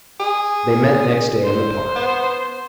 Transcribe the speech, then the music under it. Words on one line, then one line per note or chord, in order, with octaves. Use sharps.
They met next day in the park.
G#4
D3 C5
B3